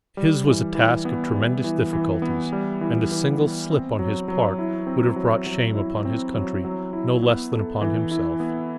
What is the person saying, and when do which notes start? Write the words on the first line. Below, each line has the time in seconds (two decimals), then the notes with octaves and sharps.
His was a task of tremendous difficulties, and a single slip on his part would have brought shame upon his country, no less than upon himself.
0.17 G3
0.47 E3
0.75 E3
1.05 B3
1.34 G3
1.64 E3
1.93 E3
2.22 B3
2.52 G3
2.81 E3
3.12 E3
3.40 B3
3.70 C4
3.99 F#3
4.28 F#3
4.59 E4
4.87 C4
5.16 F#3
5.46 F#3
5.75 E4
6.05 C4
6.34 F#3
6.65 F#3
6.93 E4
7.22 B3
7.52 A4
7.81 E3
8.11 E4
8.40 B3